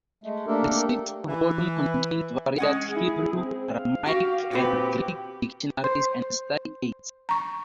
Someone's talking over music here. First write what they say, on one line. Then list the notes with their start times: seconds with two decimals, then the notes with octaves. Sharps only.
The sixth volume contains various Hebrew, Aramaic, and Greek dictionaries and study aids.
0.24 G#3 A3
0.47 A3 A#3 D4 G4 A4 A#4
1.28 E3
2.58 G#3 C#4 F#5
2.90 E4 G#4
3.36 C4
3.75 F5
4.06 F#4 G4
4.52 A#2 C4 F#4 G4 B4
5.84 C5
7.29 A#5 C#6